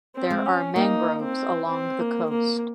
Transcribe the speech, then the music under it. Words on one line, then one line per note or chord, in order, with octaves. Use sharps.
There are mangroves along the coast.
C4
G#3
C#4
A#3 D#4
C4
C4
A#3
A#3